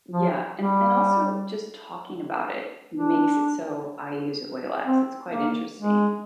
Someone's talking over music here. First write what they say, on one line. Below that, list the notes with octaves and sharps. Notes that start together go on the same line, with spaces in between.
Yeah, and and also, just, talking about it makes it so I use it way less. It's quite interesting.
F3
G3
D4
C4
A#3
G#3